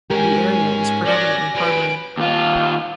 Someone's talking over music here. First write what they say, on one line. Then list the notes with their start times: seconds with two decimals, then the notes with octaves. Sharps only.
The area is predominantly farmland.
0.10 G#2 G#3 C#4 G4 A#4 G#5
1.05 F#3 D5 A#6
1.55 F3 G3 B4 D7
2.17 D#2 F4